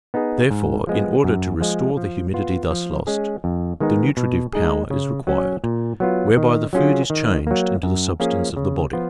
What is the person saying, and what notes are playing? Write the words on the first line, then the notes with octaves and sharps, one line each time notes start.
Therefore, in order to restore the humidity thus lost, the nutritive power is required, whereby the food is changed into the substance of the body.
B3 D#4 G#4
G#2
F3 G#3 B3
F#2
F3 G#3
F3
B3 F4
F3
G#3 C#4 G#4
F2
D#3 G#3 B3 D#4
B2
G#3 D#4 G#4
C#3
F#3 C#4
A#2
F#3 B3 F4
D#3
F#3 C#4 F4 G#4
D#3
F#3 A#3
F#2
F3 A#3 C#4 G#4
C#3
F3 B3 F4